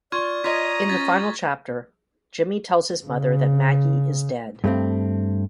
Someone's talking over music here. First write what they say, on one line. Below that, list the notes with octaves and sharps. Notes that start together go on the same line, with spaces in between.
In the final chapter, Jimmie tells his mother that Maggie is dead.
F4 D5 C#6 F6 G#6
F4 C#5 D#5 A#5 D#6 B6
C#4 G#6 A6 B6
C#3
G2 A3 C4